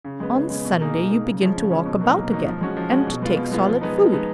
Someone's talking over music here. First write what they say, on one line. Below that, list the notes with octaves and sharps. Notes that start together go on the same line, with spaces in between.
On Sunday, you begin to walk about again, and take solid food.
C#3
G#3 B3
C#3
G#3 B3
B2
A#3 D#4 G#4
B2
A#3 D#4 G#4
C#3
F3 G#3 C#4
C#3
F3 G#3 C#4
B2
F#3 A#3 D#4
B2
F#3 A#3 D#4
F3
G#3 C#4 F#4
F3
G#3 C#4 F#4
B2
G#3 B3 F4
B2
G#3 B3 F4
F3
G#3 B3 D#4
F3
G#3 B3 D#4